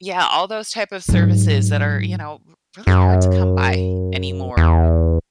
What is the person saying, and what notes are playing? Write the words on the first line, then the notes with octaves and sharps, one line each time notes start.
Yeah, all those type of services that are, you know, r really hard to come by anymore.
G#2 F#3
F#2
E2